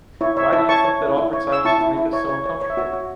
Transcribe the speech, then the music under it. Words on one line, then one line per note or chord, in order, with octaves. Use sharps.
Why do you think that awkward silences make us so uncomfortable?
E4 C#5
C#5 E5
E4 E5 A5
C#5 A5 C#6
C#5
E4
E4
C#5
C#5 E6
E4 A5 C#6
E4
E4
C#5
C#5
C#5
C#5
E5
F#4 C#5
F#4